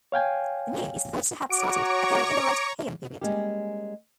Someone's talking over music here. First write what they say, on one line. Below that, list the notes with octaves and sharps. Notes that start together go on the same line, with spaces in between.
The nue is thought to have started appearing in the late Heian period.
C#5 F5 G5 G#5
F#4 C#5 A#5 C#6 D6
G3 G#3 A#3 C#4 G4